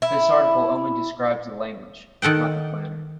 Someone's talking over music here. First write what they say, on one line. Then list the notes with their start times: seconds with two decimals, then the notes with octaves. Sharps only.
This article only describes the language, not the planner.
0.02 E4
2.22 D#3 A4 F#5 G5